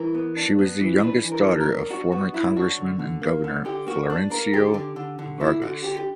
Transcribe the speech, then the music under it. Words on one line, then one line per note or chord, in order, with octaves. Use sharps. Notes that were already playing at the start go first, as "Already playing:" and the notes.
She was the youngest daughter of former Congressman and Governor Florencio Vargas.
Already playing: E3 A#4
B3
D4
B3
E3
D4 B4
E3
A#4
D4
A#4
F#2
D4 F#4
B3 F#4
F#2 E4
D4 F#4
D3
D3
A#3
D3
D3 G4
A#3 F#4
D4
A#3 A#4
D3 G4
D3
D3
D3
D3 E4
D3 F#4
D3 G4
G4